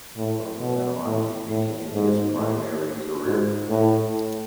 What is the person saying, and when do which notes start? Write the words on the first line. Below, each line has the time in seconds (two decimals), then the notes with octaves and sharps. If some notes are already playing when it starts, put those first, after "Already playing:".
From then on, it became his primary career.
0.16 A2
0.60 B2
1.05 A2
1.49 A2
1.94 G#2
2.37 A2
3.26 G#2
3.70 A2